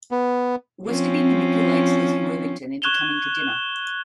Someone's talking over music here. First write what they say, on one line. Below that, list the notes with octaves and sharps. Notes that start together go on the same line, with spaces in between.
Westerby manipulates Lizzie Worthington into coming to dinner.
B3
F3 C4 C#4
C#6 F#6 G#6 E7 F7 G7